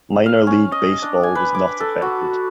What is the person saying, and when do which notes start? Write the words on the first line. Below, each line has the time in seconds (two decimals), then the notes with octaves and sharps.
Minor League Baseball was not affected.
0.26 F5
0.47 C#4
0.72 D#5
1.02 D4
1.23 G#5
1.35 B4
1.54 D6
1.80 A4
2.02 F#4